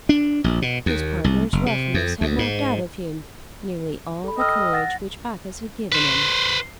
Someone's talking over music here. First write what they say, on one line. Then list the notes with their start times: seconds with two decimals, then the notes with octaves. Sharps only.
His partner's roughness had knocked out of him nearly all the courage which Bacchus had given him.
0.09 D4
0.44 A#1
0.62 B2
0.86 D#2
1.24 C2
1.53 F#1
1.66 C3
1.94 F2
2.21 D2
2.39 G#2
4.24 A4 B5
4.38 D#5 G5 E6 F6
4.73 F#5 A6 A#6
5.92 B4 C5